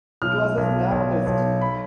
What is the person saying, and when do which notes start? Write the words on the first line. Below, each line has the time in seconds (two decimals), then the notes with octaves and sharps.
It was a snap test.
0.22 B1 F6
0.57 B1
0.92 B1
1.27 B1
1.61 B5